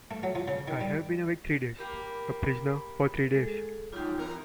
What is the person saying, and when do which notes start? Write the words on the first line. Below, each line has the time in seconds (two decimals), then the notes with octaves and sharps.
I have been awake three days — a prisoner for three days.
0.11 A3
0.23 F#3
0.35 F3
0.48 C#3
0.68 D#3
0.81 G3
1.79 A#3 G4 B5
3.30 G#3 G#4 A4
3.92 F#3 G#3 D#4 F4 G4
4.18 E2 A#4